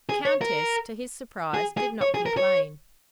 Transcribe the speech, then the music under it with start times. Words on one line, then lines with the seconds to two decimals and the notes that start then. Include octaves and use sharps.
The Countess, to his surprise, did not complain.
0.09 G#4
0.25 C#5
0.41 A#4
1.54 G#4
1.77 G#4
2.01 C#5
2.14 G#4
2.26 A#4
2.37 C#5